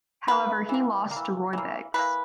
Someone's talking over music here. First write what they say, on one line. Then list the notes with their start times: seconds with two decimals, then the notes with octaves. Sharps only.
However he lost to Roy Beggs.
0.28 D#3 G#3 B3 B4
0.69 E3 A#3
1.11 A#3
1.16 E3
1.53 E3 A#3
1.94 E3 A#3 B4